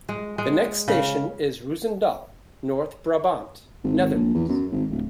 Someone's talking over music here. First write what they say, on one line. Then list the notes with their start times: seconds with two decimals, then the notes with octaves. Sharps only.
The next station is Roosendaal, North Brabant, Netherlands.
0.09 G#3
0.38 G#3
0.88 C#3
3.84 G#1
4.14 A#1
4.35 E2
4.49 F#2
4.72 G#1
4.90 D1